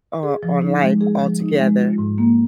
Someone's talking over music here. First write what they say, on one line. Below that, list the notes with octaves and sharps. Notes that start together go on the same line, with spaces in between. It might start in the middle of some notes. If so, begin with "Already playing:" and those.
on on life altogether.
G#4
F3
D#4
G#3
G#4
F3
D#4
G#3
F4
G#2
A#3